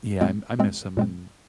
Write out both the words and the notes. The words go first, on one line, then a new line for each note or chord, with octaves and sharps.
Yeah, I I miss him and
A#2 G#3 C4
A#2 G#3 C4
A#2 G#3 C4